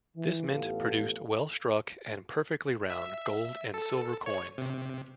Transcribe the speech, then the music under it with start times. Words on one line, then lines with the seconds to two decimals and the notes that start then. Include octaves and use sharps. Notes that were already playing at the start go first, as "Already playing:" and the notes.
This mint produced well-struck and perfectly round gold and silver coins.
0.16 E3
0.49 A1 B3 F4 G4 A4 F5
2.90 E5
3.74 A4
4.26 C#5
4.58 C3